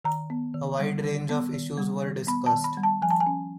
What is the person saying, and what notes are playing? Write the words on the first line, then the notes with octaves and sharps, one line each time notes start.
A wide range of issues were discussed.
D#3 A#5
B3
D#3
G3
D#3
B3
D#3
G3
D#3
B3 B5
A5
D#3
B5
G3
A5
F3 G#5
A5
G#5
C#4